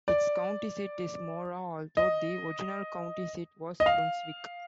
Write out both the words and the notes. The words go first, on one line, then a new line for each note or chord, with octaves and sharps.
Its county seat is Mora, although the original county seat was Brunswick.
D5
D#5
D#5
F5